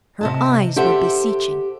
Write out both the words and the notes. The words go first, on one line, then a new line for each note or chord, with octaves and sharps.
Her eyes were beseeching.
C3 D#5 A5
G4 A4 C5 E5 F#5